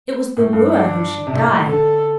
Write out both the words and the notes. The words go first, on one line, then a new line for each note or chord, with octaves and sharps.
It was the wooer who should die.
A2
G2
D4
C3
A2
D3 A4